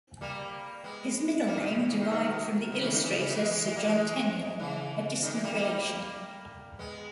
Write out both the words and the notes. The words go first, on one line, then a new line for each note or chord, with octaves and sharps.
His middle name derived from the illustrator Sir John Tenniel, a distant relation.
G3 A#3
G#3 B3
G3 A#3
B2 D#3
C#3
B2
C#3 E3
D#3 G3
B2 D#3
C#3
C#3 E3
D#3 G3
C#3 E3
C#3 E3
E3 G#3
E3 G#3
E3 G#3
G3 A#3
E3 G#3
C#3 E3
D#3 G3
E3 G#3
G3 A#3
G3 A#3
G#3 B3